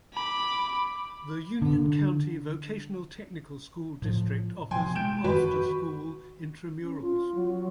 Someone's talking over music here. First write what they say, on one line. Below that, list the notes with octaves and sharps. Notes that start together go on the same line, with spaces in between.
The Union County Vocational Technical School district offers after school intramurals.
B5 D6
D3
A2 F3
B2 F3 G5 G#5 C6
G#3 G6 D7 E7
F#2 D#3 F#4 B4
C#4
F4
F#3